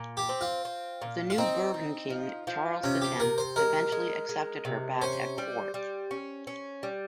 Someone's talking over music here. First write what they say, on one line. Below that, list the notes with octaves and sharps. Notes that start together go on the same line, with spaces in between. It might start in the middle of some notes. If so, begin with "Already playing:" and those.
The new Bourbon king, Charles the Tenth, eventually accepted her back at court.
Already playing: A#2
G4
C4
F4
C4
A#2
F4
C4 D#4
C4
F3
F3
C3 C#4
G4
C3 A#4
C5
G#3 A#4
G#3
G#3
C3
C#4 C5
G3
G3
C#4
C#4
G3